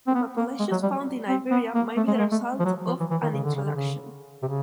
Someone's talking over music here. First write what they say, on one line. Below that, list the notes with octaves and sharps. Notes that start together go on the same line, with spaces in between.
The populations found in Iberia might be the result of an introduction.
C4
B3
A#3
G#3
F#3
G3
C4
B3
A#3
A3
G#3
A3
G#3
A3
F3
F#3
F3
E3
E3
D#3
C#3
D3
C#3
D3
C#3
C3
C#3